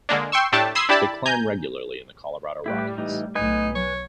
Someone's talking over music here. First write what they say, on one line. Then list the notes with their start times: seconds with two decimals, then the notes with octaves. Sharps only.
They climb regularly in the Colorado Rockies.
0.09 D3 G#3 A#3 D4
0.32 G5 C6 C#6 E6
0.52 A2 A3 D4 G4 G5 A5
0.75 B5 C6 D#6 E6 G#6 C7
0.89 D4 E4 G4 D5 A5 B5
1.26 G#5 A#5 G6
2.66 A2 G3 E4 G4 B4
2.98 E3 D#4
3.35 B1 A2 D#4 B4 G#5
3.75 F#3 C#5